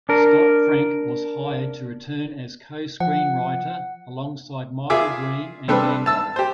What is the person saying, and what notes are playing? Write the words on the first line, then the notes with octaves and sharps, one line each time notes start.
Scott Frank was hired to return as co-screenwriter, alongside Michael Green and Mangold.
D4 A#4
F3 F#5
F4 G#4 E5 D6
G3 C4 D4 A4 B4
A5 E6
G4 C5